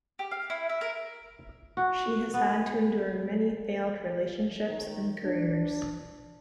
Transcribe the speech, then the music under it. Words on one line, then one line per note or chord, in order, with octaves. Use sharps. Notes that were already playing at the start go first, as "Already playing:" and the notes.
She has had to endure many failed relationships and careers.
G4
F5
E4
E5
A#4
F#4
B3
D#3
D4